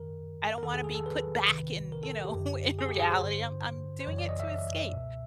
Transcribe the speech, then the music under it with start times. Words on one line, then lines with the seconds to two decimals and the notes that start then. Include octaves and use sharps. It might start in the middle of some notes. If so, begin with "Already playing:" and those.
I don't wanna be put back in, you know, in reality, I'm I'm doing it to escape,
Already playing: F#2 D#3 A#4
0.58 A#4
0.63 E2 C3 D#3 A4
0.74 G#4
0.84 G#4
0.95 A4
1.06 B4
1.49 C2 C3 D#3
1.92 A#4
2.03 A4
2.25 G4
2.35 F#2 D3
2.79 G#4
2.89 G4
2.99 G#4
3.11 C5
3.21 G2 D3
4.00 C5
4.07 F#2 C#3 E3 C#5
4.18 D5
4.29 D#5
4.40 E5
4.93 C#2 B2